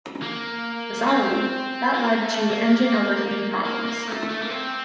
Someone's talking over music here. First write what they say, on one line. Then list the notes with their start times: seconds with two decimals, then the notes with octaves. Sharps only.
Bizarrely, that led to engine overheating problems.
0.23 A#3
1.08 C4
1.94 A#3
2.22 A3
2.51 A#3
2.79 A#3
3.65 A#3
3.86 A#3
4.07 A3
4.29 A3
4.42 A#3
4.50 C4